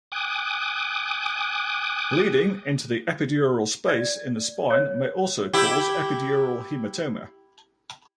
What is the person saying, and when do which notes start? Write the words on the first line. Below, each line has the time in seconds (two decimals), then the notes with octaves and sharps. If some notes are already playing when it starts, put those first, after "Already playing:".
Bleeding into the epidural space in the spine may also cause epidural hematoma.
0.12 G5 G#5 D6 D#6 F#6
3.88 D5
4.70 C#5
5.53 E4 G4